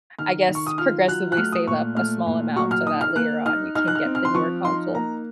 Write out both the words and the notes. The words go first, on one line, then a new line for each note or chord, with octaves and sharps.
I guess, progressively save up a small amount so that later on, you can get the newer console.
D#3 F6
D#3
C#6
D#6
F4 F6
F#3 F#6
F#6
A3 F6
D#6
A#2 C#6
A3 F6
A#2
F#3 C#6
F6
D#4 D#6
F6
A#3 F#6
D#4 F6
D#4 F6
F#6
F6
C4
F6
C6
F3 C#6
D#4 C6
A#3 A#5